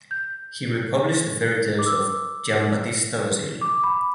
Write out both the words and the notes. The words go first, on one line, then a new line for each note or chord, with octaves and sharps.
He republished the fairy tales of Giambattista Basile.
G6
D6
E6
D6
B5